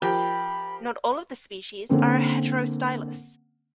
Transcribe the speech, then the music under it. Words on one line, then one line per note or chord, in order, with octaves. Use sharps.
Not all of the species are heterostylous.
F3 G4 A#4 G5 B5
D3 A#3 C4 C#4